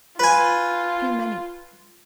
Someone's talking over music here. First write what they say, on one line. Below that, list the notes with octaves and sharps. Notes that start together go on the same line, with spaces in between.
Too many.
F4 B4 G#5